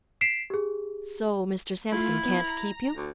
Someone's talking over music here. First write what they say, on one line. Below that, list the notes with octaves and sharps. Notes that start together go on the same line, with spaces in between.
"So Mr. Sampson can't keep you?"
B6 C7 D7 E7
G4 G#4
A3 E4 F4
B3
A#5
D2